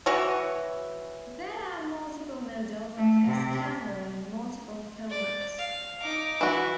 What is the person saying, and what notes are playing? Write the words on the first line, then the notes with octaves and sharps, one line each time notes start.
There are multiple models of this camera in multiple formats.
E3 F#4 C#5
A3
C3
D5
F5
D#4 D6
E3 E4 F#4